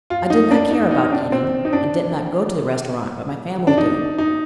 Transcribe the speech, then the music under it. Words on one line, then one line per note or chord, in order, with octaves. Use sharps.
I did not care about eating, and did not go to the restaurant, but my family did.
F4
D#4
D4
D#4
D#4
D4
C4
D#4
D4
D4
D#4
D#4